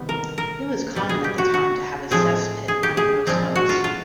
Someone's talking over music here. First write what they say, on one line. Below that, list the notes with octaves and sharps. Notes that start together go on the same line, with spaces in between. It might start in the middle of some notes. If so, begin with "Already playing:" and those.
It was common at the time to have a cesspit under most homes.
Already playing: C3 D#3 G3 B3
A#4
A#4
B2 G3 B3
G#4
G4
F#4
F#4
A2 F3 G#3 C4 G#4
G#4
G4
G#4
A#2 F3 G#3 C4
F#4
F4
F4